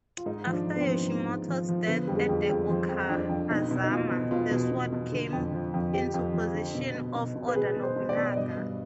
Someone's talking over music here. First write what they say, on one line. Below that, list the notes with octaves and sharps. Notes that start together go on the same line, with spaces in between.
After Yoshimoto's death at the Okehazama, the sword came into possession of Oda Nobunaga.
F4
G#2 D#4
F3
D4
G#2
B3
C4
F3
G#2
G#2
F3
F3
D3 B3
F2 G3
G#3
F2
G#3
F2
F3 C4
F2
F2 D4
F2
B2 D#4
B2
D#4
B2 F4
B2
B2 F4
B2
B2
B2
D3
F2
F3
F2
F2 G4
F2
F3
D3
B2
B2
B2
B2
B4
B2 G#4
B2
C5
B2
D5
B2
D5
G2 D#5
G2